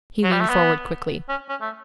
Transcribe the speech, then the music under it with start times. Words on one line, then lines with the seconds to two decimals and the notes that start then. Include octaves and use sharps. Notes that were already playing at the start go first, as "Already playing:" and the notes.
He leaned forward quickly.
0.23 F#3
0.32 G3
0.41 A3
0.50 B3
1.29 C#4
1.49 C#4
1.61 A3